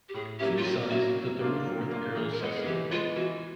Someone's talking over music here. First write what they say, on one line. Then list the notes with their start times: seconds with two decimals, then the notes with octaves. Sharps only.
Two sons, the third and fourth Earls succeeded.
0.09 G4
0.14 A2 G#4
0.39 F#3 A#3 C#4 E4 G4
0.58 F4
0.65 A2 F#4
0.89 F#3 A#3 C#4 E4 F#4
1.15 F#3
1.40 A#3 D4 F4
1.65 F#3
1.91 A#3 D4 F4
2.15 E3 G#4
2.32 A#4
2.40 G#3 B3 A4
2.55 G#4
2.66 E3 G4
2.91 G#3 B3 F4
3.16 E3 F#4